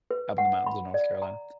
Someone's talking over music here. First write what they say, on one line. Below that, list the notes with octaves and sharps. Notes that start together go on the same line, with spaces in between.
up in the mountains in North Carolina.
B4
F#5
B5
D5
A#5